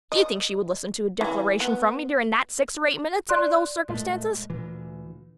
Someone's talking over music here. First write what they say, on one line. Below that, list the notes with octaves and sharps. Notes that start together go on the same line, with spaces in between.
Do you think she would listen to a declaration from me during that six or eight minutes under those circumstances?
D#5
E3
B3
D5 C6 F#6
A#2 G#3 A3
D2 A#2 E3